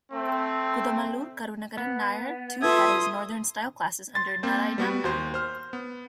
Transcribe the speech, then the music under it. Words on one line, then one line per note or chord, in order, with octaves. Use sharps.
Kudamaloor Karunakaran Nair too had his northern-style classes under Naraynan Nair.
A3 C4
B3
F4 A4 B4 E5 C6 D#6 G#6
C6 A6
A#3 C4 C5
G3 B3 F#4
D#2 F#4 C5
C5 F6
B3